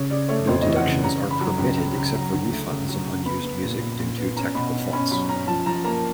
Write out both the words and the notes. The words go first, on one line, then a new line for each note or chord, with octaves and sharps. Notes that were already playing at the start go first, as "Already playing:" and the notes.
No deductions are permitted except for refunds of unused music due to technical faults.
Already playing: C#3 C#5
C#3 D5
A3 C#5
F2 C5
E3 D#5
F#5
C#3
C#3 A#5
C#3
B5
F#3
C#2
C#2
C#3
F#3 A#5
D2
A3
C#3
F#3
C#3
B3 B5
B3
A#2
A#2
A#2
B3
C#4 A#5
B2 B5
C#4
C#4 B5
F#3 B5
C#4 A#5
F3 A5
F3 A#5
A#3 A#5